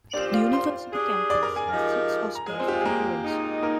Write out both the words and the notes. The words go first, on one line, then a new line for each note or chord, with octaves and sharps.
The university campus has six hostels for boys.
A#2 F3 C4 D4 G4 D5
F4 F5
C5 C6
G3 D4 G#4
D5 D6
A#4 A#5
G#4 G#5
F3 G#3 D#4 G4 A#4
A#5
A#2 F3 G#3 G#4 G#5
C4 C5
G4
F4
G#4
A#3 A#4
A#2 G#3 C4 D#4
A#3 A#4